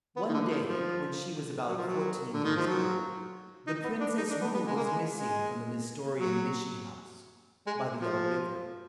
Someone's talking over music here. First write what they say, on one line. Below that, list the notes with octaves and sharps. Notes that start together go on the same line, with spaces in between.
One day, when she was about fourteen years old, the Princess Woo was missing from the Nestorian mission-house, by the Yellow River.
B3
D#3
D3
D#3
F3
F#3
F3
F#3
D3
D#3
F3
F#3
D#4
B3
D4
D#4
D4
B3
B3
G#3
A#3
G#3
G#3
F#3
G#3
F3